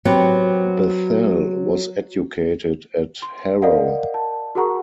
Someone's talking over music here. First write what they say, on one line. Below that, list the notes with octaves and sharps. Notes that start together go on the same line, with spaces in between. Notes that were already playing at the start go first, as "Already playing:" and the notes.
Bethell was educated at Harrow.
F#3 B3 C4 G4
C6
A#4 D5 D#5 F5 F#5
A5
F#4 G#4 A#4 F#5 A#5 C#6